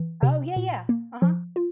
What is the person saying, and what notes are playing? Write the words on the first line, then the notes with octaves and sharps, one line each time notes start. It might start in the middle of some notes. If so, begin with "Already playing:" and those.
Oh, yeah, yeah. Uh-huh.
Already playing: E3
C3
A#2
A#3
F3
F4